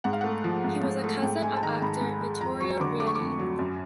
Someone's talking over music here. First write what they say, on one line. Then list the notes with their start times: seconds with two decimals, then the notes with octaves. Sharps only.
He was a cousin of actor Vittorio Rietti.
0.04 G#2 F#5
0.13 F5
0.21 A3 F#5
0.44 F3
0.64 G#2
0.83 G#2
1.04 A3
1.23 G#2 G5
1.43 G#3 G#5
1.57 A5
1.63 D#3 A#5
1.82 G#2 B5
2.01 G#2
2.21 G#3
2.41 F2 A#5
2.60 F#3 C#6
2.80 D3 D6
3.00 A3 D6
3.07 C#6
3.15 F2 D6
3.39 F#3
3.59 F#2